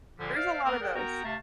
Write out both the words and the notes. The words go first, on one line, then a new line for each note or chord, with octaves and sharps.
There's a lot of those.
A#2 D3 F3 G3 G#3 A#3
C5 D5 E5 F5
A#3 C4 A#4
G#4 A#4 D5 F#5 G5
B3 F#4 A#4 G5 A#5
C3 A3 F5 A5